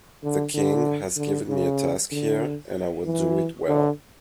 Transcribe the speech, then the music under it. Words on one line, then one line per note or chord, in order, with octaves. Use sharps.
The king has given me a task here and I will do it well.
D3
D3
D3
C#3
D3
E3
D3